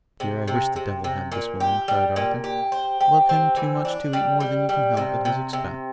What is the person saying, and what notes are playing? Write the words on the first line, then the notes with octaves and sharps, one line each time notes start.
'Oh, dear, I wish the devil had this woman!' cried Arthur: 'love him too much to eat more than you can help at his expense.'
C3
C3
C3
C3
A#2
G4
G3
A#2
G4
C5
G4
C4
E3
D4
G3
G3
G3
C3
C3
C3